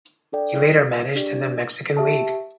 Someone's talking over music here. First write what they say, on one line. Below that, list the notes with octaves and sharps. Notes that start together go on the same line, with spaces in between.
He later managed in the Mexican League.
D4 A4 D5 G5
D4 G4 D5
G4 E5 A5